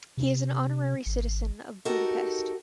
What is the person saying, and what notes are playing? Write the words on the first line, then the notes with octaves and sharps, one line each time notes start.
He is an honorary citizen of Budapest.
C3
G#1
D#4 F#4 G4 A4 A#4